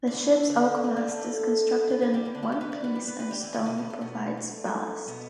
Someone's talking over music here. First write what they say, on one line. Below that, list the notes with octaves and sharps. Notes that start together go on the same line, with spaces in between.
The ship’s oak mast is constructed in one piece and stone provides ballast.
D4
E3 E4
D3 D4
E3 E4
G3 G4
A3 A4
B3 B4
B3 B4
G3 G4
E3 E4
D3 D4
E3 E4
G3 G4
B3 B4
D4 D5
B3 B4
G3 G4
B3 B4
B3 B4
G3 G4
E3 E4
D3 D4
B2 B3
B2 B3
A3
B2 B3
A3
B2 B3